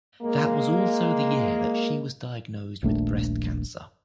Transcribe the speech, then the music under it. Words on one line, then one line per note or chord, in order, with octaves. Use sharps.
That was also the year that she was diagnosed with breast cancer.
G#3 A#3
D#1 A#1 A3 D4